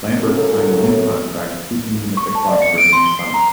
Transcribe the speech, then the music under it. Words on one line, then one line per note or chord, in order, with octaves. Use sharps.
Lambert signed a new contract keeping him at the club during the summer.
C#3 F#3 C#4 E4 A4 A#4
C#6
A5
D5
C#7
D7
C6
G7
C7
A#5